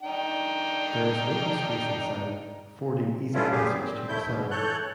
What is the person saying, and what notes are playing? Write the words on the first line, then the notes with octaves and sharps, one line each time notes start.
There is an open space inside affording easy passage to the cellar.
D4 D#4 G5
G3 A3 B3 C#4 E4 F4
A#2 F#3 G4 G#4
A#2 C4
D#2 A3 E4 G6
G#2 B2
E3 A4 C#5 F#6 G6